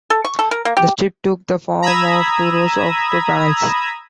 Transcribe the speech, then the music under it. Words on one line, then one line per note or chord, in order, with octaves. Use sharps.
The strip took the form of two rows of two panels.
A4
C#6
A4
A#4
A#3
G4
A#5 B5 D#6 E6 G#6